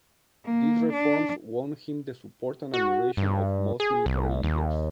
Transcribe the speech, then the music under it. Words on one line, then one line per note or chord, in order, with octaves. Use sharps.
These reforms won him the support and admiration of most military leaders.
A#3
D4
F#4
G2
G#4
C2
D#2